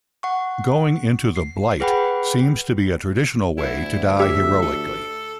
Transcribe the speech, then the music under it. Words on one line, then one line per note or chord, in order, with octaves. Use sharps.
Going into the Blight seems to be a traditional way to die heroically.
F#5 C#6
C7
G#4 B4 F#5 G5 B5
D2 E4
G4 E5
A4